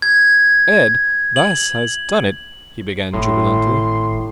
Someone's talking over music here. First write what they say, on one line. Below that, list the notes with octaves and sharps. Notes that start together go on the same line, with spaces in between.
"Ed, this has done it!" he began, jubilantly.
G#6
F#7
G#1 A2 C6